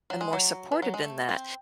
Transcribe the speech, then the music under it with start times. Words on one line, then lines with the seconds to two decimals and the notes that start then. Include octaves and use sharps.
and more supported in that.
0.10 F#3
0.21 G#3
0.33 F#3
0.72 E3
0.82 F#3
0.94 G#3
1.04 A3
1.29 C4